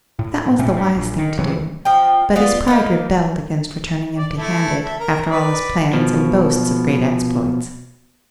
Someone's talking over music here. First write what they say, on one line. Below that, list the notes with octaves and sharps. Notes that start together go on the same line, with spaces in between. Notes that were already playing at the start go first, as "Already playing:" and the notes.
That was the wise thing to do, but his pride rebelled against returning empty-handed after all his plans and boasts of great exploits.
A2
A#2 A3 C4 C#4
G2
A#1
D#3
C#3 E3 F#3 C4
F3 G5
B3 F4 D5
A#3 D#4
D5
A3 E4 A5
A4 E5
A#4
B4 D5
B2 F3